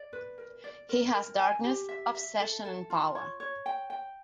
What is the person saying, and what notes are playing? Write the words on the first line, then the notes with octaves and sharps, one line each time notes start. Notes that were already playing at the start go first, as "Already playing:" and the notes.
He has darkness, obsession and power.
Already playing: D5
B4
A#4
D5
A#4
A#4
G#5
G4
E5
E5
A4
A4
F4
C#5
C#5
G5
G5